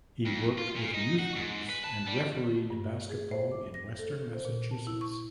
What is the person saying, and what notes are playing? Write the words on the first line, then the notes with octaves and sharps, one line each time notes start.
He worked with youth groups and refereed basketball in western Massachusetts.
F2
F4
A#2
D#4
F#4
G#2
B4
A5
G3
A3
G2
G#4
C5
D6
A#6
A4
C5
A#2
A5
E4
C#6